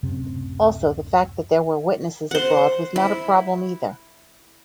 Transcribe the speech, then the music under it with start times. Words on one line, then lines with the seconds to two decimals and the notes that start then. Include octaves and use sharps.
Also, the fact that there were witnesses abroad was not a problem either.
0.03 D1 F#2 C3 C4
2.31 C5 F#5
2.96 E4